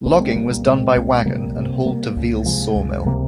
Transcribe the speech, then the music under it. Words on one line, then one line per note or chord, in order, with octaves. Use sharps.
Logging was done by wagon and hauled to Veal's sawmill.
C2 A#3 C#4
G#3 C4
A#2 G3 A#3
G3 A#3
A#2 G#3 C4
C2
C3 G3 A#3
C3
C3 G3 A#3
C#2
C3 F3 G#3
C#2
C3 G3 A#3